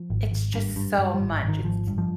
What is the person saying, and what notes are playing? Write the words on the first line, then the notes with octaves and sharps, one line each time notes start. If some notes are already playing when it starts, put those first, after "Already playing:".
It's just so much. It's
Already playing: F3
G#1
G#1
G2
G2
G2 G3
G3
G#1
G#1
D#3
G#1 F3
G2
F3